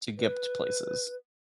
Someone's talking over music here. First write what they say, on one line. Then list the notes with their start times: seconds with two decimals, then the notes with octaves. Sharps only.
to get to places.
0.18 B4